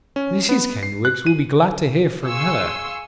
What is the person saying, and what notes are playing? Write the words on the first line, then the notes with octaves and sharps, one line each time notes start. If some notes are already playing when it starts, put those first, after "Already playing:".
Mrs Kenwigs will be glad to hear from her.
C#4
B3
C7
F#6
D#7
G#4 F5 G#5 C6 C#6 E6